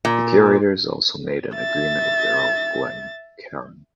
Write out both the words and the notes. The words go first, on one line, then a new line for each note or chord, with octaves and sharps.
The curators also made an agreement with the Earl of Glencairn.
A#2
E5 A6